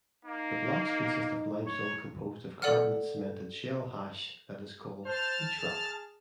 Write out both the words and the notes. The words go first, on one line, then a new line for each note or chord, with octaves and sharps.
The blocks consist of limestone composed of carbonate-cemented shell hash that is called "beachrock".
A#3 D#4
C#5
A4 D5 F#5 F6
C5 A5 F6
G#4